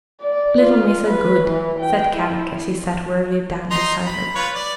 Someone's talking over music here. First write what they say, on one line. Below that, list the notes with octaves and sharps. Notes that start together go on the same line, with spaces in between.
"Little Missa good," said Kadok as he sat wearily down beside her.
D5
F4
B4
E3
G5
E4
D#4 A#5 C6
B5
F4 B4 C#5
D5